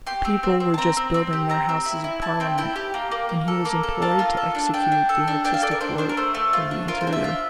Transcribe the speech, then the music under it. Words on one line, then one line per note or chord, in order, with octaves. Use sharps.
The people were just building their Houses of Parliament, and he was employed to execute the artistic work of the interior.
G4 C6
C4
C4
C4
A5
C4 A#5
C4
C4
G4
C4 A#5
C4
E4
E4
E4 A5
C4 G5
E4 G5
G4
A#3
A#3
A#3
A4
A#3
A4
A#3 A5
F4
A4
D4
D4 G5
D4
A4
D4
D4 G5
F5
A4 D5
A#4
D4 C5
D4 C5
A#4
A3 C5
A3
F4
D4
F4 A#4
C5
D4
E5
F4